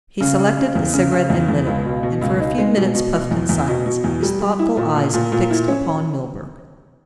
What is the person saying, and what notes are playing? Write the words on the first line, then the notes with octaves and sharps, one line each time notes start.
He selected a cigarette and lit it, and for a few minutes puffed in silence, his thoughtful eyes fixed upon Milburgh.
C#3
C#3
C#3
E2
C#3
C#3
E2
E2
C#2
B2
B2
C#2
D#4
G#3
B2
B2
B2
E2
E2
B2
B2
E2
G3
G3
E4
A#2
A#2
A#2
A#2
E4
C#4